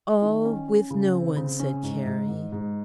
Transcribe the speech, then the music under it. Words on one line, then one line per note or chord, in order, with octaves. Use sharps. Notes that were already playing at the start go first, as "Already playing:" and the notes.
"Oh, with no one," said Carrie.
D#3
C#4
C#4
C#3
C4
C#3
C#4
G#2
G#2
G#2
G#2